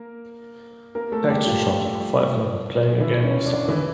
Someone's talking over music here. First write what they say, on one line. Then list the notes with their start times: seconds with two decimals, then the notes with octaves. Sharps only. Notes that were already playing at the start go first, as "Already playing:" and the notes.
Action shot of five men playing a game of soccer.
Already playing: A#3 A#4
0.95 A#3 A#4
1.12 A3 A4
1.29 G3 G4
1.46 F3 F4
3.00 E3 E4
3.23 C#4
3.46 D4
3.69 E3 E4